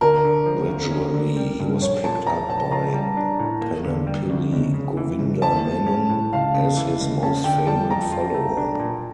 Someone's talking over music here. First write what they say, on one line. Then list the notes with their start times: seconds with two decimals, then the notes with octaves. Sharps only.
Gradually, he was picked up by Panampilly Govinda Menon as his most favourite follower.
0.01 D2 A#4
0.25 D3
0.46 F3
0.69 D2
0.91 C#4
1.14 D3
1.37 G3
1.60 G2
1.82 A#1 C#5
2.04 A#2 A5
2.27 F3 A#5
2.49 A#1 A5
2.71 F4 A#5
2.94 G3
3.17 D4
3.40 A2
3.61 A#3
3.84 D3
4.07 G3
4.30 D2
4.53 C#2
4.74 C#3
4.97 E3
5.19 C#2
5.42 E4 A5
5.65 F3
5.86 C#4
6.09 A2
6.33 C#2 F5
6.54 C#3
6.77 E3
7.00 C#2
7.23 C#4 A5
7.44 D3 G5
7.67 G3 A5
7.90 F2 A#5
8.13 F4
8.34 A3
8.57 D4
8.80 A#2